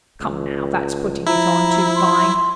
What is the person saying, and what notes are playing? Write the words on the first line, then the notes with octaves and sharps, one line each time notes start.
Come, now, that's putting it on too fine.
C#2
F3 E4 A#5
C6